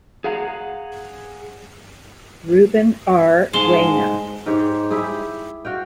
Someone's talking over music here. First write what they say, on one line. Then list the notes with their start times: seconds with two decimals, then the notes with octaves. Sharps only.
Ruben R. Buena.
0.24 G#4 F5 F#5 A#5
3.53 G#2 G#3 F5 A5 C6
4.46 G#2 G4 C#5
4.91 E4 G4 G#4
5.65 F#4 F5 G5